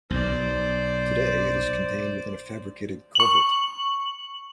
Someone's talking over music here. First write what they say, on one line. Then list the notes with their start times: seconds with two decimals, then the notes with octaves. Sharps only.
Today it is contained within a fabricated culvert.
0.10 B1 C5 D5
3.15 C#6 F#7